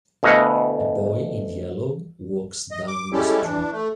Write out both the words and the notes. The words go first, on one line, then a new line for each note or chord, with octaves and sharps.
A boy in yellow walks down the street.
D2 B2 E4 D#5 F5 F#5
D#5
D6
G3 G#3 C#4 E4 G4 A4
E3 D4
A3